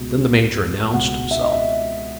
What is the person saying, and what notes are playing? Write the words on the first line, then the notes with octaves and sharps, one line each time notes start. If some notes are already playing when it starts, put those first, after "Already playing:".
Then the major announced himself.
Already playing: C#2 B2
C#2 B2 F#5
E5
D#5
E5